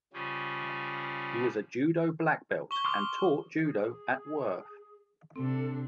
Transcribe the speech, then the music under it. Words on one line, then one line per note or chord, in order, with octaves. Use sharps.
He was a judo black belt and taught judo at Worth.
C#3 F3 G3 C#4
C#6 G7
C6 D6 F6
G#4
C3 C4 D4 A4